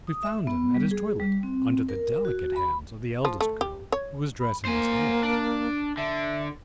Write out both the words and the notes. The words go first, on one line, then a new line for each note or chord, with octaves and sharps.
We found him at his toilet under the delicate hands of the eldest girl, who was dressing his hair.
D#6
E5
B3
G3
G#4
G3
C4
A#4
F#4
B5
F3
A3
G4
C#5
B5
A#3 C5 G#5
D4
D3 E5